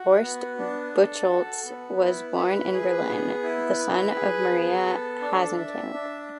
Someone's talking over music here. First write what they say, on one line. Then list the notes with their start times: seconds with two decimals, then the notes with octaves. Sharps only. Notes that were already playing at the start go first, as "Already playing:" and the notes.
Horst Buchholz was born in Berlin, the son of Maria Hasenkamp.
Already playing: F#4
0.22 B3
0.58 D4
0.93 A4
1.30 F#4
1.65 B3
2.01 E4
2.37 B4
2.72 G#4
3.08 B3
3.43 E4
3.79 B4
4.15 G#4
4.51 B3
4.86 A4
5.21 D4
5.57 E5
5.93 D4